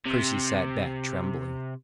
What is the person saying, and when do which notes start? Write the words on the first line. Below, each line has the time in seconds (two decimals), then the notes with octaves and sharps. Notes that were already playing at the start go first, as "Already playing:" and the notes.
Percy sat back, trembling.
0.06 C3